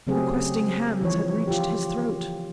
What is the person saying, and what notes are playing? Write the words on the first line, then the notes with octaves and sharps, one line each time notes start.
The questing hands had reached his throat!
C#3 F#3 A3 C4 G4 G#4
E3 F3 C#5
F4 G4